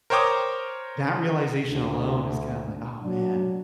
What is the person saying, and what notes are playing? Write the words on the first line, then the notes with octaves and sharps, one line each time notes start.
that realization alone is kinda like, "Oh, man,
A#4 C5 C#5 G5 D6 D#6
D2 D4
F#3 D4